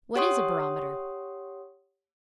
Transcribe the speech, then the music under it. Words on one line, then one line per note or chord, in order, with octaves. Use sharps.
What is a barometer?
G4 C#5 F#5 C6 D#6